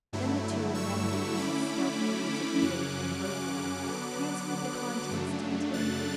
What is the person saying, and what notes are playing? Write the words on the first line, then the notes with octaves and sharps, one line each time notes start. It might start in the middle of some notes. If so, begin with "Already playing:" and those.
Then the two of them, moving as stealthily as if engaged in a burglary, transferred the contents to the table.
G2 D3 F#3 A3 E4
C#6 E6
C#6 E6
D3 A3 C#4 E4 B5 D6
F#2 C#3 F#3 C#4 D6 F#6
D6 F#6
D3 F#3 B3
F#2 C#3 F#3 A3 D4
F#6 A6